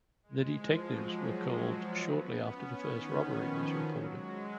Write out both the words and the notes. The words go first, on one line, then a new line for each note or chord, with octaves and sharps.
The detectives were called shortly after the first robbery was reported.
G#3
F3
F#3
G#3
F#3
B3
C#4
D#3
F3
F#3
G#3